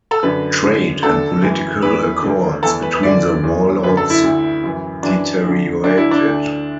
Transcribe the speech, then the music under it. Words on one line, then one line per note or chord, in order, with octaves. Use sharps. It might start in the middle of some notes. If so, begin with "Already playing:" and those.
Trade and political accords between the warlords deteriorated.
A4
F#2 D3 B4
F#2 D3
D2 D3 A4
F#2 E3
E2 E3 B4
D2 D3
E2 E3 A4
B4
B4
F#2 D3 D5
E2 E3
F#2 D3 B4
A4
E4
D2 D3
F#2 E3
F#2 E3 D4
D2 D3
D2 D3 D4
E4
D4
D2 D3